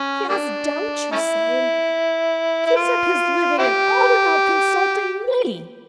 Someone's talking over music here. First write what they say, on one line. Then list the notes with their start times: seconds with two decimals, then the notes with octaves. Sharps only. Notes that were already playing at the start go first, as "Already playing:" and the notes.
'He has doubts, you say, and gives up his living, and all without consulting me.
Already playing: C#4
0.29 G3 A#3 D4
1.11 A3 C#4 E4
2.66 E4
2.76 F4
3.58 C4 E4 G4